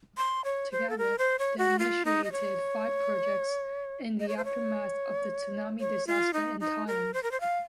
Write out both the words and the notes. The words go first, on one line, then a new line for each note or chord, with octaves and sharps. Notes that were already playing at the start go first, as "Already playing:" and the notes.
Together, they initiated five projects in the aftermath of the tsunami disaster in Thailand.
C6
C#5
C5
A4
A#4
C5
C#5
F#4
F4
D#4
D#5
C#5
D#5
C#5
C5
C#5
C#5
F4
D#4
D#4
A#4
C5
A#4
C5
F5